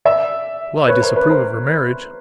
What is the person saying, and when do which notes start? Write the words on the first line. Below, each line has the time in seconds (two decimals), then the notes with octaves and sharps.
Well, I disapprove of her marriage.
0.05 D5 E5
0.88 B4 C#5
1.02 A#4 C5
1.16 B4
1.29 A#4 C5